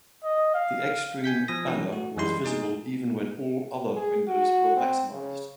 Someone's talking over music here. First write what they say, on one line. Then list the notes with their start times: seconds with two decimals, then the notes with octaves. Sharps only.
The X-Stream banner was visible even when all other windows were maximised.
0.24 D#5
0.54 F5
1.24 G#5 G6 B6
1.48 F3 G#5 D#6 A#6
1.67 E3 C#4
1.92 A3 F#4
2.17 F#2 E3 G3 G#3 E4 C6
2.44 G#3 D#4 G#4
3.96 G#4
4.28 F#4
4.77 C4
5.12 C#3